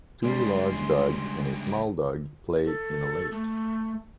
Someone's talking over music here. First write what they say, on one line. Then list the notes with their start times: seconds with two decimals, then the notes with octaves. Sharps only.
Two large dogs and a small dog play in a lake.
0.23 C#3 G3 G#3 D4 C6
2.65 A4
3.32 A3